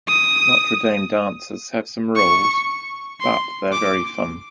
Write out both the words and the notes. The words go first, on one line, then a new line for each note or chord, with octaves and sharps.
Notre Dame dances have some rules, but are very fun.
D#6
C#6
C6
D6